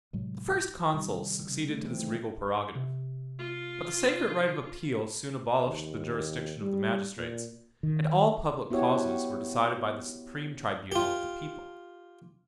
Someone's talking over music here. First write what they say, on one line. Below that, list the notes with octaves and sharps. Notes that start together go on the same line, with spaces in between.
The first consuls succeeded to this regal prerogative; but the sacred right of appeal soon abolished the jurisdiction of the magistrates, and all public causes were decided by the supreme tribunal of the people.
A2 C3 F#3 G#3
C3 D#3 G3
C#3
A3
E3 C4
A3 D#4
C3
F4
D#2
G3
A#2
D#3
B3 E4 F#4 G4 C#5
F4 G4